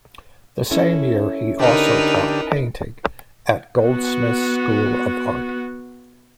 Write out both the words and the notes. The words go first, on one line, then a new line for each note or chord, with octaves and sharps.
The same year he also taught painting at Goldsmiths' School of Art.
C#4 E4 A4
D3 D4 D#4 G4 A#4 B4
B3 F#4